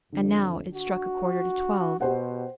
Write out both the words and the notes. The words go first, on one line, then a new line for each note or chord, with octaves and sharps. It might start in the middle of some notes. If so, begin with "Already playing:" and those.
And now, it struck a quarter to twelve.
F2 D3
F#4
B2 G4 C5 F#5